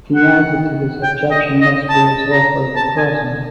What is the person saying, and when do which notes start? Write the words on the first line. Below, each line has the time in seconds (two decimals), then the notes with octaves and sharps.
The answer to this objection must be reserved for the present.
0.15 F#5
1.03 G5
1.31 D#5
1.61 D#5
1.89 A5
2.32 A#5
2.76 A5
2.97 G#5